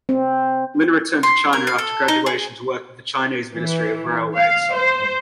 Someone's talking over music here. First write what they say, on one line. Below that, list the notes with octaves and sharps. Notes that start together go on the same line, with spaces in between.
Lin returned to China after graduation to work with the Chinese Ministry of Railways.
C4
C6
A#4
F5
A4
D#4
G#4
E3
F5
C5